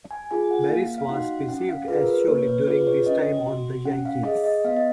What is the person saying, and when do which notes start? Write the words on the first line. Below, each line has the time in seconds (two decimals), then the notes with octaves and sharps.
Maris was perceived as surly during his time on the Yankees.
0.11 G#5
0.31 F4 G#4 G#5
0.51 F#5
0.70 A#3 F5
0.98 F5
1.09 D#4 F#4 F#5
1.49 C#4 F#5
1.69 F5
1.88 F4 G#4 B4
2.01 A#4
2.08 B4
2.27 A#3 C#5
2.48 B4
2.67 F4 G#4 B4
2.81 B4
2.87 C#5
3.06 C#4 D#5
3.46 F#4
3.85 C#4 F#5
4.06 F5
4.25 G#4 D#5
4.44 D#5
4.65 B3 F5
4.77 D#5